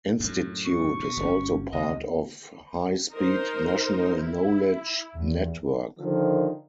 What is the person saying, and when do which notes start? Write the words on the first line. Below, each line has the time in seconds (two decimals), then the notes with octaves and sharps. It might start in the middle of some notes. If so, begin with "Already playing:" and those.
Institute is also part of high speed National Knowledge Network.
0.20 F#2 A2
0.65 C#6
1.00 B2
1.17 G1 B2 C#4
1.73 C#2 C3 D#5
3.12 D#4 A#4 C5
4.20 E4
5.14 E2
5.99 D3 D#3 F3